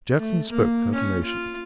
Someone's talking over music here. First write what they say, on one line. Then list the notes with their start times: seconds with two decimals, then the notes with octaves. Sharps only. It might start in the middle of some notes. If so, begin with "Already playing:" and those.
Jackson spoke without emotion.
0.19 A3
0.50 A#3
0.94 C#4
1.24 F4